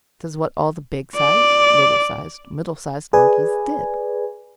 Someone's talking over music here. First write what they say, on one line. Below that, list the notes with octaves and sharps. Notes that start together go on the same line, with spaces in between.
This is what all the big-sized, little-sized, middle-sized monkeys did.
D5
G#4 B4 D5 G#5